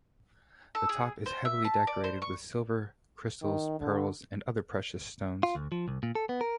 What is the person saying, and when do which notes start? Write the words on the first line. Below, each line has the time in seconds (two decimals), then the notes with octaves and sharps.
The top is heavily decorated with silver, crystals, pearls and other precious stones.
0.75 A4
0.89 G#4
1.26 C5
1.45 E5
1.65 A5
1.87 D5
2.04 C5
2.22 C#6
3.42 D#3
3.79 D3
5.43 F4
5.55 D2
5.72 F3
5.88 C2
6.03 A#2
6.15 A4
6.29 B3
6.41 A#4